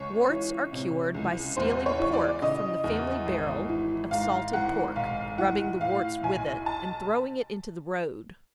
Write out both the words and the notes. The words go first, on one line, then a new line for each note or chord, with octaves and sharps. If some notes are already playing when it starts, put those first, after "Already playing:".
Warts are cured by stealing pork from the family barrel of salted pork, rubbing the warts with it, and throwing it into the road.
Already playing: C#2 C#5
E3
C3
C#2
E2 C5
C#5
E3
D5
C#3 D#5
E2
G#1
E3
G#2 F5
G#1 F#5
B1 F5
E3 F#5
A2 F5
B1 G#5
A5